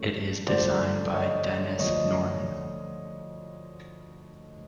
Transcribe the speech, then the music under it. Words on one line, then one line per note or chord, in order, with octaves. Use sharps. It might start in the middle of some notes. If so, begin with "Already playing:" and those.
It is designed by Dennis Nordman.
Already playing: C3 F3 A3 C#4
G2 D3 F3 A3 C5 D5
C#5 D#5
D2 D3 F3 C#5 D#5